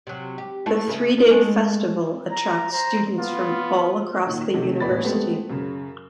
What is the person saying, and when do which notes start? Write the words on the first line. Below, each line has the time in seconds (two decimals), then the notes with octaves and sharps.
The three-day festival attracts students from all across the university.
0.07 C3 F#3
0.38 G4
0.66 A3 A#3 E4
0.87 C#3 A#4 E5
1.18 D#3
1.30 G#3 A3
2.31 A#5
2.72 C5 A#5
3.18 B3 F4
4.27 A#2 D#3
4.54 C3 D#3 F#3 A3
4.80 D#1 A1 B3 D5 B5 A6
5.04 G#3 A3 B3 C4 G4 C5
5.50 F#2 C#3